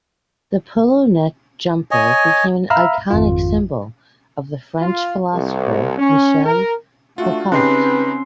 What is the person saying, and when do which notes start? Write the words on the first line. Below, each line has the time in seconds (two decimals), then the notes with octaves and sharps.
The polo neck jumper became an iconic symbol of the French philosopher Michel Foucault.
1.91 C#5 D#5 G#5
2.70 E5 F5 A#5 B5 E6 F6
3.10 G#1 F2 F4
4.82 F4
5.33 C2
5.98 C#4
6.46 A#4
7.18 A3 D4 F4 F#4 F#5
7.52 C#3 C4 C#4 D#4 G4 B4 C6 C7